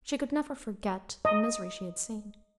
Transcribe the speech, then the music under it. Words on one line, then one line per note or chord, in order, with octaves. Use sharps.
She could never forget the misery she had seen.
D#5